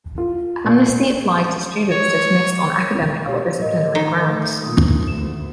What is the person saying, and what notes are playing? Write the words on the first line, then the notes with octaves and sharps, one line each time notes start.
The amnesty applied to students dismissed on academic or disciplinary grounds.
F4
A#2
C#5
B2 G4 C#5 F5
A2 A#4 D#5
D#3
A3 G6
A#2 F3 D#6
D2 A3 E7